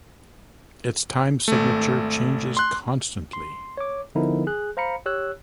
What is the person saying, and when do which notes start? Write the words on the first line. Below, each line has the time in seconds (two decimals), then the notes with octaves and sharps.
Its time signature changes constantly.
1.48 G#1 A3
2.57 C6 F#6
3.33 C6
3.77 C#5 D6
4.15 D3 F3 B3 D#4 E4 A#4
4.47 G#4 F#6
4.77 C5 F5 A#5 B5 C#7
5.06 G4 C#5 E6 F#6